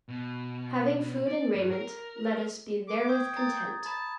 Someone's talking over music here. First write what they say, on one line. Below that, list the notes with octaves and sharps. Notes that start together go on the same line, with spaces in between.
"Having food and raiment, let us be therewith content."
B2
D5
G2
A#4
D6
G5 C#6 D#6 G#6
A#5 D#6 A6
A5 B5